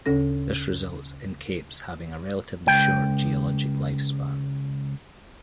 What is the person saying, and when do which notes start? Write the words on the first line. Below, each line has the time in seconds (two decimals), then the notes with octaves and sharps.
This results in capes having a relatively short geologic lifespan.
0.06 D2 C#3 C#4 A4 A#6
2.67 C#2 G5